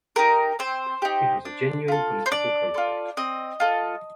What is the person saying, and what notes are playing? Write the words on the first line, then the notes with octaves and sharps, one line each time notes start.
It was a genuine political conflict.
D#4 G4 A#4
C4 C5
D#4 G4
D4
F4 A4
C5
D4 D5
F4 A4
C4 D#5
F4 A4